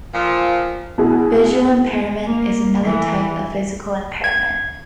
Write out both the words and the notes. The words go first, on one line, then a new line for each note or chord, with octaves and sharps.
Visual impairment is another type of physical impairment.
A#2 F3
B2 E4 G#4
A#3
E3
G#6